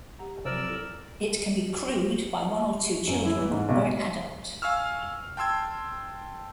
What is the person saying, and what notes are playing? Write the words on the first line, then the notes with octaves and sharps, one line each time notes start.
It can be crewed by one or two children or an adult.
G4 F#5 A#5
C3 F3 F#3 C4 A#4 D5 E6 F6
E4 A4
F#2
E4
E3
G#2
B1
F5 G#5 C#6 E6 F6
G5 A5 C6 E6 G#6